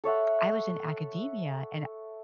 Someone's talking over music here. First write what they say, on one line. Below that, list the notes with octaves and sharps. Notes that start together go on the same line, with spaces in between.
I was in academia, and
A4 C#5 E5 F#5